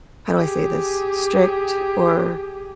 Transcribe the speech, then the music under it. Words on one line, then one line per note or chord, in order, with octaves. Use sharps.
how do I say this- strict or,
G4 G#4